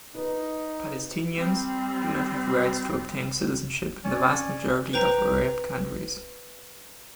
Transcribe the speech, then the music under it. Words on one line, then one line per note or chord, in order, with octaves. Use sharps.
Palestinians do not have rights to obtain citizenship in the vast majority of Arab countries.
D#4 B4
G3 C4
C#4 D5
B4 C5 G5 A#5